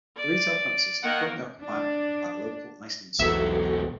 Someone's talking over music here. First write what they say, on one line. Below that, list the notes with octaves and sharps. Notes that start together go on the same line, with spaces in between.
The retail premises are currently occupied by the local Iceland supermarket.
D5
D#3 A#3 A#4 F#5
D4
B1 E2 G#2 B2 F#3 F#4 A4 E5